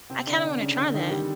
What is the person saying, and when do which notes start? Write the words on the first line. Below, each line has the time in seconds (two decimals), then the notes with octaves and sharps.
I kinda wanna try that.
0.10 C3 C4
0.27 D3 D4
0.60 C#3 C#4
0.78 D3 D4
0.94 D#3 D#4
1.10 G3 G4